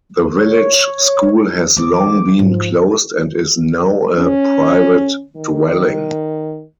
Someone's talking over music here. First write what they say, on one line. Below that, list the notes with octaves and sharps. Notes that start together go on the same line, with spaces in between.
The village school has long been closed and is now a private dwelling.
C#5
D4
E3 C4 D6
G#2 F3
C#4
D#3